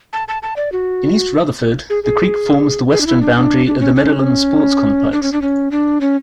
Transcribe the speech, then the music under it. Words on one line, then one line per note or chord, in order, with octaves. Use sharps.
In East Rutherford, the creek forms the western boundary of the Meadowlands Sports Complex.
A5
A5
A5
D5
F#4
G#4
G#4
G#4
D4
E4
D4
D4
D4
C#4
C#4
D4
C#4
D4
C#4
D4
C#4